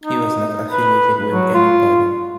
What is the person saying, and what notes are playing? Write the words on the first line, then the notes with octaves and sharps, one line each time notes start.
He was not affiliated with any party.
D#4
B4
F#3
F4